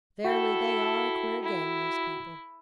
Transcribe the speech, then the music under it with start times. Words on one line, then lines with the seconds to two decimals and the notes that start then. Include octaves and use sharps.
Verily, they are a queer gang, these people.
0.24 E4 F#4 A4 G5
1.42 E4